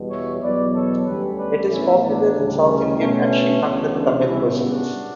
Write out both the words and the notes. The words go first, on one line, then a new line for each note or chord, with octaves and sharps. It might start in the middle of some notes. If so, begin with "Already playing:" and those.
It is popular in South Indian and Sri Lankan Tamil cuisines.
Already playing: E2 B2 G3
C#5 E5
E2 B2 F#3 B4 D5
A4 C#5
D2 D3 G3 C#4 G4 B4
B4 D5
A2 E3 B3 C#4 E4
D4
D2 C#3 G3
C#4
B2 A3 C#4
D2 C#3 E3 B3 C#4
D4
C#2 C#3 G3 B3 C#4 E4
D4 F#4